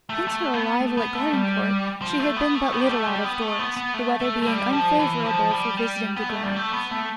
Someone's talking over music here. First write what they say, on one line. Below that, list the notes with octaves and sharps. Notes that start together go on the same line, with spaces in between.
Since her arrival at Gardencourt she had been but little out of doors, the weather being unfavourable for visiting the grounds.
A3
A3
B3
A3
B3
A3
G3
F3
A3
B3
A3
B3
G3
A3
G3
B3
A3
B3
B3
A3
A3
A3
G3
F3
E3
F3
G3
G3
B3
A3
G3
A3
B3
A3